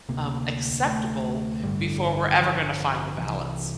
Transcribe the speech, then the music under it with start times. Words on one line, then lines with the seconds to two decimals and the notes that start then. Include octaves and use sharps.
um, acceptable before we're ever gonna find a balance;
0.09 D2 C3 A#3
0.86 A3
1.63 A1 G2 D3 G3
2.41 F3
3.18 C2 C3 E3